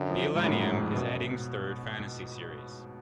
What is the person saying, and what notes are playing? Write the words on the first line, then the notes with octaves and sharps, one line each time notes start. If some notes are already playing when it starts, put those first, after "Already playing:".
"The Elenium" is Eddings' third fantasy series.
Already playing: F#2 D3
F3
G#2
F#2 A2
G#2
F2
F#2 B2